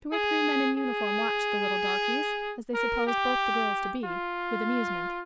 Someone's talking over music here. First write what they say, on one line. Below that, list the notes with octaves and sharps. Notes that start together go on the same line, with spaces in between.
Two or three men in uniform watched the little "darkies," as they supposed both the girls to be, with amusement.
G#4
G#4
A#4
G4
F4